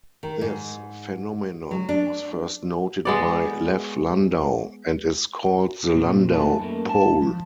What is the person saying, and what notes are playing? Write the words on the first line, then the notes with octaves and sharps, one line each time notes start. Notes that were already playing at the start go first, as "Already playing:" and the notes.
This phenomenon was first noted by Lev Landau, and is called the Landau pole.
D#3
G#2
F#3
D4
G#3 B3 D5
A#2 F#3 C4
A3 D#4 G#4 B4 A5
F#2 A3 A#3
G#2 A5
F3